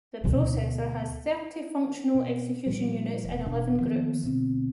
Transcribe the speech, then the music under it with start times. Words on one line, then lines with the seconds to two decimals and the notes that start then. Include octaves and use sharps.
The processor has thirty functional execution units in eleven groups.
0.24 D2 B2
2.15 B2
2.66 A#2 F3 G3
3.24 E1
3.46 E1 B2 D4
3.81 D#3 F3 A#3 B3
4.24 D2 B2 C4